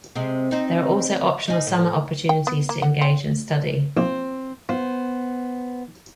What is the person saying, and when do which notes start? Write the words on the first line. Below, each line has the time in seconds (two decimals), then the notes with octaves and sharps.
There are also optional Summer opportunities to engage in study.
0.15 C3 G#3
0.51 C4 D#4
1.48 D#4 G#4
1.67 A2
2.29 G5
2.47 B3
2.69 A#3
2.82 F#5
3.01 C4
3.97 A#1 C4 C5
4.69 B3 F4 C5